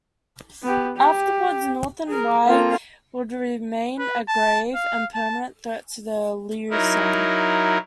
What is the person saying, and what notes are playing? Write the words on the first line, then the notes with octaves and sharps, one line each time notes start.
Afterwards, Northern Wei would remain a grave and permanent threat to the Liu Song.
B3 G4
G4
G#4 A#4
A#3 C4 F4 A4
B4
A5
F5
A5
F#3 D#4 E4 A#4